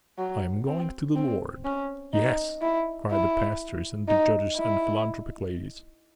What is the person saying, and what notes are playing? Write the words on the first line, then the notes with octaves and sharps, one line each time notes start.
I am going to the Lord.' 'Yes,' cry the pastors and the judges and philanthropic ladies.
F#3
C4
C4
C#4
D#4
E4
E4
D#4
E4